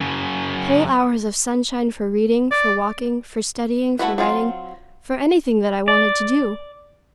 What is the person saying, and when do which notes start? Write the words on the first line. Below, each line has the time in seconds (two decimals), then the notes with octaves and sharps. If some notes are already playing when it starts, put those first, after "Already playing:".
Whole hours of sunshine for reading, for walking, for studying, for writing, for anything that I wanted to do!
0.01 F#2 C#3
2.51 D5
3.99 A3 E4 F#4 B4
4.18 F#3 C4 F4
5.88 D5